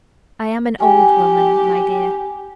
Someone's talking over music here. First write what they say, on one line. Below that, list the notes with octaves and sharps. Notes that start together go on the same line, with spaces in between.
I am an old woman, my dear.
G4 G5 G#5